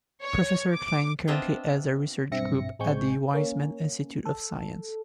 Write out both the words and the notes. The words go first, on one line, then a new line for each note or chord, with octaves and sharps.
Professor Klein currently heads a research group at the Weizmann Institute of Science.
C#5
D6
B3 C4 D4 F4 D#5 E5
B1 G2 C4 E5 A#6 C#7
A1 G#3 C4 G#5 C#6 G6
A#3 C#4
A4